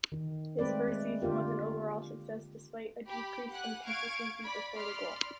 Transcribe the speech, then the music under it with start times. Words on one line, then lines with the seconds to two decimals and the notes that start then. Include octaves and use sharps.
His first season was an overall success despite a decrease in consistency before the goal.
0.12 D#3
0.59 G#3 A3 C4 B4 D5
0.88 G#3
1.22 D3 A#3 F4 G4
3.06 G4 B5
3.52 F#5 G#5 F#6
3.86 F5 C#6 G#6 D7
4.43 D5 B5
4.73 D5 B5 C6 F6